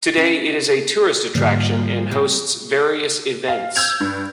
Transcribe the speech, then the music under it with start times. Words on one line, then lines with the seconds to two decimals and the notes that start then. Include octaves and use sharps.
Today, it is a tourist attraction and hosts various events.
0.17 C#4
1.35 G#2 D3 F3 G3 A#3
2.11 C4 G4
3.48 F5
3.76 E6 G6 G#6 F7
4.00 G2